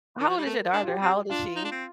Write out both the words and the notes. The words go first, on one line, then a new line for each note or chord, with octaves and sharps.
How old is your daughter? How old is she?
D#3
F3
G3
A3 A#4
D4
F4
G4
C4
D4 F4
D#4
D4
C4